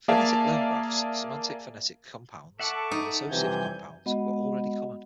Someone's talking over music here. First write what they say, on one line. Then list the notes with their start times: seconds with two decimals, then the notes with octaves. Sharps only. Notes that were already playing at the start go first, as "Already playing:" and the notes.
Phonetic loan graphs, semantic-phonetic compounds, and associative compounds were already common.
0.08 A#3 G#4 D5 E5 F5 A5
2.60 A4 E5 F#5 A5 C#6 D6
2.91 D#4
3.29 F2 C3 E3 G3 G#5 G6
4.06 G#3 B3 F#4 D#5 F#5 B5